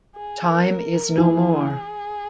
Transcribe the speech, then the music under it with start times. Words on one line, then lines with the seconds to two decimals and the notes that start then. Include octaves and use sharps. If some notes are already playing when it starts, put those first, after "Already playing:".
Time is no more.
0.16 G#4
0.50 A#4
1.18 E3 G#4